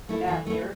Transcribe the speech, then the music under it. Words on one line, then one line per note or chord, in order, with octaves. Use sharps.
Isn't that weird?
A3 E4
E3
A3 E4